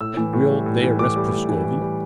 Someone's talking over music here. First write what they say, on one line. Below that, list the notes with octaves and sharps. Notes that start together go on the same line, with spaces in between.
"And will they arrest Prascovie?"
A2 E6
E3
A2
G3
A2
E3
A2 D6
G3
A2
E3
A2
G3